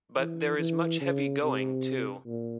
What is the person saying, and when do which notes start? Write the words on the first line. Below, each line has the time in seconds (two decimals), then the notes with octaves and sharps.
But there is much heavy going too.
0.17 E3
0.59 E3
1.01 C#3
1.42 C3
2.27 A#2